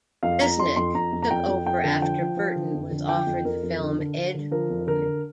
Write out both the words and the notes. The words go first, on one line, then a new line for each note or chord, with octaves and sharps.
Resnick took over after Burton was offered the film "Ed Wood".
F2 F5
F2 A#5
F2 C6
F2 C6
F2 A#5
F2
A#5
F2 G5
F2
F2 G5
D3
F3 G5
F3
F3
D3
F2
D3
F3 G5
F2
F2 A#4
F2
D3
D3
D3
D3
F3 A#4
F2
D3 A#4
D3